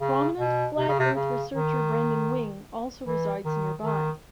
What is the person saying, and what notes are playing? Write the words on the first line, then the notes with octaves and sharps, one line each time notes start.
Prominent Flat Earth researcher Brendan Wing also resides nearby.
C#3
B2
C3
C#3
C3
C#3
D#3
E3
D#3
D#3